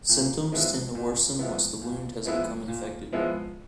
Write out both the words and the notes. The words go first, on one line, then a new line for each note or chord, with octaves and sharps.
Symptoms tend to worsen once the wound has become infected.
A#2
F3 G#3 B3 E4
A#2
F3 G#3 B3 E4
A#2
F3 G#3 B3 E4
A#2
F3 G#3 B3 E4